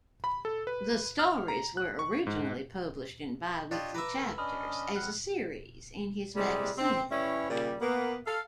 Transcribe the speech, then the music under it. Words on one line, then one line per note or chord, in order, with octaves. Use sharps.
The stories were originally published in biweekly chapters as a series in his "Magasin".
B5
A4
B4
F6
A#5
F#6
C#6
G#2
D4 F4 G4 C#5 D#5
B4 E5 A#5 D6
A4 A#4
C#4 D4 D#5 B5 D#6 F6
F2 F#5 F6 F#6
A2 C3 G3 G#3
C4
E3 G3 C#4 E4 C#5
A#2 C#3 G3
A#3 B3
A4 F5